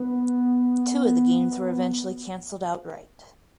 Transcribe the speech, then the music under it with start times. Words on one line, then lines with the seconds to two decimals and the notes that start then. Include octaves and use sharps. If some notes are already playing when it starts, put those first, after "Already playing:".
Two of the games were eventually canceled outright.
Already playing: B3